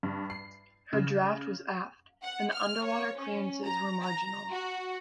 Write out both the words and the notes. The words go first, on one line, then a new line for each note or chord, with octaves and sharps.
Her draft was aft and the underwater clearances were marginal.
G2
C7
C#3
F#5
F6
C#5
C#4
A#5
A#5
F#4